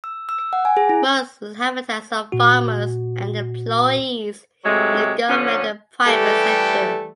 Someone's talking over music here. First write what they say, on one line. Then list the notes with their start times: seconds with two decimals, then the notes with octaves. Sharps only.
Most inhabitants are farmers and employees in government and private sector.
0.04 E6
0.29 E6
0.53 F#5
0.65 G#5
0.77 G#4
0.89 E4
2.32 A#2 F#4
4.65 C3 F#3 G#3 A3
5.28 D3 F3 C#4
6.05 E3 G3 A3 G4 A4